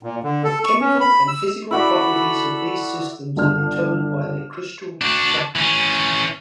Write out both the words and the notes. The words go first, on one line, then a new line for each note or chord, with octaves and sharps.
The chemical and physical properties of these systems are determined by their crystal structure.
A#2
D3
A4
C#6
C#4
B5
E6
E4 F#4 A4 D5 B5
G1 D4 F6
D4 F#4
E3 C#4